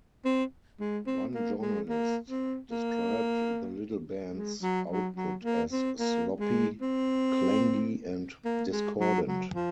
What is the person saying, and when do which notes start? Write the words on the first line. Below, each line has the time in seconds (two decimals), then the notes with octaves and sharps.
One journalist described the little bands' output as sloppy, clangy and discordant.
0.25 C4
0.80 G#3
1.07 C4
1.34 A#3
1.62 G#3
1.89 A#3
2.30 C4
2.71 A#3
4.35 G#3
4.63 F#3
4.90 F#3
5.17 F#3
5.44 A#3
5.72 C4
5.99 A#3
6.40 G#3
6.81 C4
8.45 A#3
8.73 G#3
9.00 F#3
9.27 F#3
9.54 F3